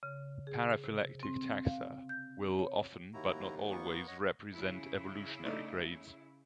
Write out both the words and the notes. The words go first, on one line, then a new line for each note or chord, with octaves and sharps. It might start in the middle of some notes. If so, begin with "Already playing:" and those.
Paraphyletic taxa will often, but not always, represent evolutionary grades.
C#3
G#4
C3
C4
F5
G6
C#5
D#2 E4 F#4 A#5
A#3 B3 C#6
C#5 D#5 F#5
C#3 E4
A3 D4 D#4